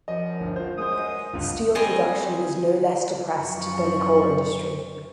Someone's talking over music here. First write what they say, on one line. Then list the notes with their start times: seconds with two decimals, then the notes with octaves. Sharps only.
Steel production was no less depressed than the coal industry.
0.08 F#2 F3 D#5
0.40 G1 D2
0.56 F4 C5
0.78 F#2 G#3 C5 D#6
0.99 D#5 G#5
1.33 G1 C#2 G2 F4
1.75 G3 C4 G#4 D#5
3.34 F#2 F3 C#6